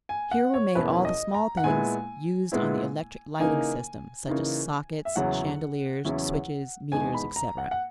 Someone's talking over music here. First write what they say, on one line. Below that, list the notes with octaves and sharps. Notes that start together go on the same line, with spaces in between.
Here were made all the small things used on the electric-lighting system, such as sockets, chandeliers, switches, meters, etc.
G#5
F#5
C#5
E2 B2 A#3 C#4 E4 B4
D#5
A#5
F#5
A#2 G#3 B3 E4 G#5
A#2 G#3 B3 E4
C#3 E3 A#3 D#4 G#5
C#3 E3 A#3 D#4
E5
E2 C#3 F#3 C#4 E4 F#5
E2 C#3 F#3 C#4 E4
E2 B2 G#3 D#4 G#5
B5
A#5
F#5
F#5